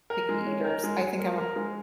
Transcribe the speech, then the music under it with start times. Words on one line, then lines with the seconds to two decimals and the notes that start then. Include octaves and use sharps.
picky eaters, I think I'm a p
0.10 A#4
0.29 G#3
0.47 C#4
0.64 A#4
0.84 G#3
1.01 G#3
1.20 A#4
1.38 A#4
1.56 G#3